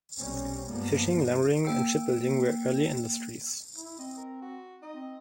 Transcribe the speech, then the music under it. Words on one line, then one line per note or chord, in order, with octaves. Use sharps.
Fishing, lumbering and shipbuilding were early industries.
B1 C3 G3 C4 C#4
G2 F3 G3 G#3 A#3 B3
A#3 G5 E6
E4
C4 D#5
A#4
F#4
D#4 D#5
C4